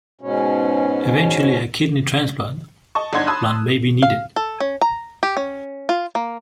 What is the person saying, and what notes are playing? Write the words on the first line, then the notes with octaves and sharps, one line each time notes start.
Eventually, a kidney transplant may be needed.
G#2 B2 C#4
D#5 A5 C#6
G1 D4 D#4 F#5 C6 G#6
A5 B5 C6 D#6 E6 F#6
F5
A4
C#4
A#5
G4
C#4
F4
A#3